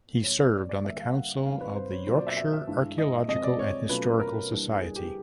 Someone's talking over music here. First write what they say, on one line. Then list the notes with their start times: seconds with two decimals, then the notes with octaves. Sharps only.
He served on the council of the Yorkshire Archaeological and Historical Society.
0.23 A2 F#3 B3 C#5
0.39 C#5
0.54 D5
0.69 D5
0.85 D3 G3 A#3 E5
1.00 F5
1.15 F#5
1.45 C3 D#3 G3 F5
1.61 B4
1.76 C5
1.91 C#5
2.06 B2 F#3 A#3 C#4 F4 C5
2.17 D5
2.27 E5
2.37 E5
2.53 E5
2.67 G2 E3 G#3
2.98 D#5
3.28 F2 C3 F3 G#3 D#5
3.44 D5
3.59 C#5
3.89 B2 F#3 A3 C#4 F4 B4
4.20 A#4
4.51 E3 G3 A#3 D4
4.81 G#4
4.96 G4